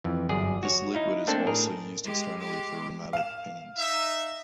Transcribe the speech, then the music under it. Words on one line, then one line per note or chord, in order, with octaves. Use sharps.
This liquid is also used externally for rheumatic pains.
F2 E3
G1 F#2 G#4 D5
F#4 C#5
D#4 E4 F5
A3 A#3 C4 D4 A4
A2 G#4 A#4
G#3 G4
G#3 G4
F5 E7
D#4 E5